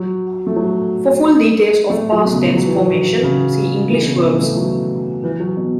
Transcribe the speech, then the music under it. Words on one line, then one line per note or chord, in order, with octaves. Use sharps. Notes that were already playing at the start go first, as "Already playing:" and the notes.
For full details of past tense formation, see English verbs.
Already playing: F#3
A3
F#3
A3
F#3
B2
C#3
F#3
E3
F#3
C#3
E3
B2
C#3
E3
A3
F#3
E3
F#3
B2